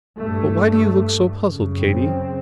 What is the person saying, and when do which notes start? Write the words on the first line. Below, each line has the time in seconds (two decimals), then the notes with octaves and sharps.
But why do you look so puzzled, Katy?
0.19 G2 A3
1.47 F#2 C#3
1.79 C4